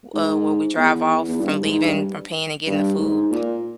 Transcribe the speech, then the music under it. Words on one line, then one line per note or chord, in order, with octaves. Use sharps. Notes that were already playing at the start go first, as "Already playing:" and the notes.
uh, where we drive off from leaving, from paying and getting the food
G#2
E2
E2
G2
G#2
G2
G2
G#2
A#2